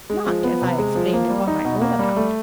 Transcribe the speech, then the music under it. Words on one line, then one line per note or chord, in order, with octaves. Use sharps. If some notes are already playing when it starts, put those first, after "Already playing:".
Not, as I explained, upon my own account.
G#3
F3
B3
C3
G#3
F3
A#3
G3
D#4
B2
A#3
G3
A3